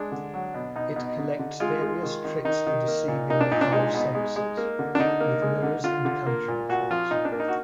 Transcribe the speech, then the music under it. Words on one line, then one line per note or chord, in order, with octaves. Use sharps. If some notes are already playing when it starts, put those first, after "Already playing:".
It collects various tricks for deceiving the five senses, with mirrors and conjuring tricks.
Already playing: G#3 D4
D3
F#3
B2
B2 D#4
B2
D3
D3
G#3 F4
G#3
D#3
D#3
D#3 D#4
D#3
A#3
A#2
A#3 D#4
D4
A#2 D#4
D4
G#3 D#4
B2
G#3
G#3
A#3
D3
D4
D3 D#4
A#3
G#3
D3
D3 F4
D3
A#3
A#2
A#2 F#4
F3 F4
A#2 D#4
D4
A#3
D#4
F#4